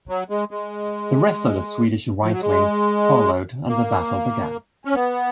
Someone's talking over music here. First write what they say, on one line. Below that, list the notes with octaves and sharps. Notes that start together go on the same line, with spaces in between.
The rest of the Swedish right wing followed and the battle began.
F#3
G#3
G#3
F3
F#3
G#3
A#3
C#4
B3